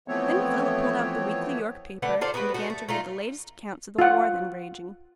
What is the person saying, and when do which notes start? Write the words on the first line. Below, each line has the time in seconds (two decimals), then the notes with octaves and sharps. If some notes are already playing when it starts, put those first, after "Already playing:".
Then Philip pulled out the weekly York paper, and began to read the latest accounts of the war then raging.
0.08 E3 F3 A3 B3 C4 C#5
2.02 D3 A3 B4 F#5
2.21 F4 A4 C5 D5
2.34 B3 F#4 G4 B4
2.54 A3 F#4
2.70 A3
2.89 A3 D#4 F4
3.99 F4 F#5